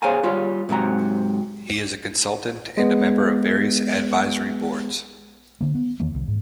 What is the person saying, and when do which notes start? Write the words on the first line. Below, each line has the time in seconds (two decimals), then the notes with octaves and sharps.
He is a consultant and a member of various Advisory Boards.
0.02 G#4 C5 C#5 F5 G#5 A#5
0.23 G3 F4 C#5
0.69 G#2 C3 F#3 A#5
2.77 G#3 B3
5.61 D3 A#3
5.75 B3
6.00 E2 D#3 E3 A#3
6.14 C2
6.28 G#2